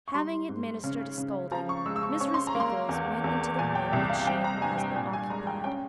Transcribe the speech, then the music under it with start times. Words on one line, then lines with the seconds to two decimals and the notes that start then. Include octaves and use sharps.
Having administered a scolding, Mrs. Eagles went into the room which she and her husband occupied.
0.08 C#6
0.14 G3 C6
0.49 G#2
0.84 C#3
1.18 C#3
1.52 F3 A#5
1.69 C#6
1.86 G#3 E6
1.96 E6
2.03 C#6
2.20 C#4 C#6
2.34 C6
2.47 A#5
2.55 A#3
2.60 C6
2.89 E2
3.24 E2
3.59 A#2 G#5
3.75 G5
3.92 C2 E5
4.09 F5
4.27 C4 G5
4.44 A#5
4.61 G2 G#5
4.78 G5
4.96 A#2 G#5
5.13 G#5
5.30 G#3 A#5
5.47 G5
5.64 C#4 G5